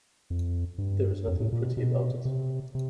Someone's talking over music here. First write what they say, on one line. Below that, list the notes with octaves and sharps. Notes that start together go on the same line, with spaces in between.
There is nothing pretty about it.
F2
G2
F2
A2
A#2
B2
B2
C3
C3